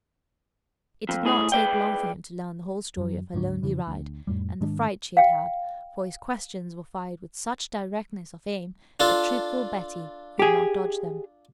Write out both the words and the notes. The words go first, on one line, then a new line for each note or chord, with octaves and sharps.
It did not take long for him to learn the whole story of her lonely ride, and the fright she had had, for his questions were fired with such directness of aim that truthful Betty could not dodge them.
F2
A2 G#4
G#4 B4 D5 G5
F#2 F#3
D1 G#2 D3 F#3
F2 C#3 E3 F3
D2
F2 A2 G3
G#2 D#3 G#3 D4
F5 G5
D4 F4 A4
G4 G#4